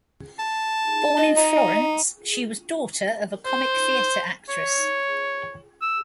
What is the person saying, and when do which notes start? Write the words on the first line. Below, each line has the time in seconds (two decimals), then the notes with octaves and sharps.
Born in Florence, she was daughter of a comic theatre actress.
0.39 A5
1.17 D#5
1.37 D#4
3.45 C5
4.49 C#5
5.82 E6